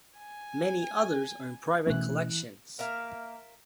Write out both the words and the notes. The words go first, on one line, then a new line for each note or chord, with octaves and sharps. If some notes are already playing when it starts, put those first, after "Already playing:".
Many others are in private collections.
G#5
B2 E3 A3 C#4 E4 F#6
A#3 A#4 E5 F5